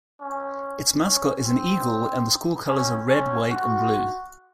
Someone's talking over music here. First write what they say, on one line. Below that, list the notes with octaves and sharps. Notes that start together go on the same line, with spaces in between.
Its mascot is an eagle, and the school colors are red, white and blue.
C#4
C#4
C4
C#4
C#4
F#4